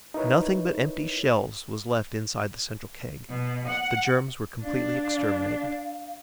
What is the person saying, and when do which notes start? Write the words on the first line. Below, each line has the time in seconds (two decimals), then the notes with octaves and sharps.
Nothing but empty shells was left inside the central keg; the germs were completely exterminated.
0.14 D#4 E4 A#4 B4 C#5
3.29 B2
3.67 F#5
4.64 D4 F5